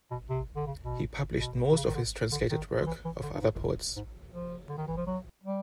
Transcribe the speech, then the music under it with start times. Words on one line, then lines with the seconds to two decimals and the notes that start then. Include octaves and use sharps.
He published most of his translated work of other poets.
0.11 B2
0.29 C3
0.56 D3
0.66 C#3
0.85 B2
1.39 B2
1.72 C3
1.76 C#3
1.88 D#3
1.95 D3
2.32 D3
2.50 D#3
2.81 F3
2.86 E3
3.05 E3
3.23 D3
3.34 G2
3.41 G#2
3.96 G#2
4.33 F3
4.69 D3
4.78 D#3
4.88 E3
4.97 F3
5.06 F#3
5.43 G3